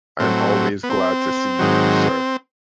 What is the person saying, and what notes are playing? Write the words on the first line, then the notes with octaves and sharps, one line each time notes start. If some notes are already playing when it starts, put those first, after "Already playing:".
I'm always glad to see you, sir.
A2 F#3 C4
B3
C4
G#2 D#3 F#3